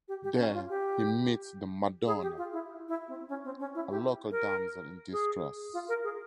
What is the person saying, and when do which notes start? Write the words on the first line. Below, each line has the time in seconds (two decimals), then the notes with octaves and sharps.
There, he meets the "Madonna", a local damsel in distress.
0.08 G4
0.24 G4
0.39 C#4
0.54 F4
0.69 G4
2.07 G#4
2.22 G4
2.37 F4
2.53 E4
2.88 E4
3.08 C4
3.29 C#4
3.44 C4
3.59 C#4
3.75 E4
3.90 G4
4.31 A#4
5.12 G#4
5.73 F4
5.88 A#4
6.04 G#4